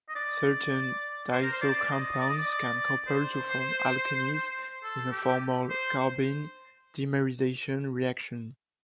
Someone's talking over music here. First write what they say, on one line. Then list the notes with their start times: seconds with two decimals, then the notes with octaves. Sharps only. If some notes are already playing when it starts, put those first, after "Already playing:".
Certain diazo compounds can couple to form alkenes in a formal carbene dimerization reaction.
0.09 D#5
0.16 D5
1.32 C5
1.42 A#4
1.52 C5
1.61 D5
1.91 D#5
2.20 D5
2.30 D#5
2.39 D5
3.07 C5
4.83 A4
5.11 G4
5.70 C5